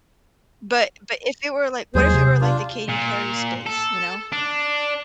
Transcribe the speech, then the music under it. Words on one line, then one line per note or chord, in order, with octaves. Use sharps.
but but if it were, like what if it were, like, the Katy Perry space, you know,
D#2 F#3 G#3 G#4 C5
C3
D4 F4
A#2
A4
D4